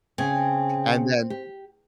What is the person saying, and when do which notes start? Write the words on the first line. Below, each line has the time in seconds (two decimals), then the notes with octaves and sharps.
And then
0.18 C#3 C4 G#5
1.30 G4